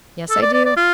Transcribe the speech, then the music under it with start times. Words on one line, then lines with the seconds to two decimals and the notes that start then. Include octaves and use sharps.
"Yes, I do."
0.30 A4
0.42 D5
0.54 D5
0.65 D5
0.77 F4